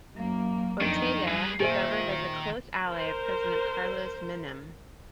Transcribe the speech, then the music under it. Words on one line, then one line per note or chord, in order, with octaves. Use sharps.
Ortega governed as a close ally of President Carlos Menem.
F#2 A#3
F2 D#3 D4 D#4
G3 G#4 B4
A#2 D#3 G#4 C5 E5
A#4 C5